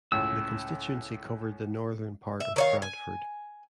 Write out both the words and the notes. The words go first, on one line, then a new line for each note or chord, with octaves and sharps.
The constituency covered the northern part of Bradford.
C#2 A2 E6
E5
D#3 C#5 F5
G#5